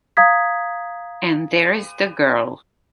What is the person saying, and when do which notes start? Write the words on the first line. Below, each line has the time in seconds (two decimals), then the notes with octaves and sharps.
And there's the girl...
0.17 F5 A#5 D#6 G#6 B6